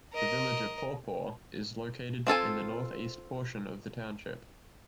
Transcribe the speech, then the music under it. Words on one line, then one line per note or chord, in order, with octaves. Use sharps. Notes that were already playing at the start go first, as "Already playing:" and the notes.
The village of Paw Paw is located in the northeast portion of the township.
A#4 D#5
C4 F4 A4 G#5